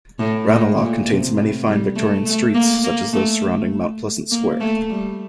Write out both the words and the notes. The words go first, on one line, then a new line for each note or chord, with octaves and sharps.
Ranelagh contains many fine Victorian streets such as those surrounding Mount Pleasant Square.
A2
A2
A#2
C3
A2
G3
A3
A3
A#3
A#3
A3
A#3
A3
G3